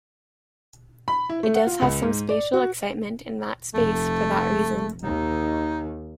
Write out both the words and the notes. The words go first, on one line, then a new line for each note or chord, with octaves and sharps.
It does have some spatial excitement in that space for that reason.
B5
E4
A3
F#5
F4
C#2
G#2
D5
F#4
F1 A3
D#2 D#3 D#4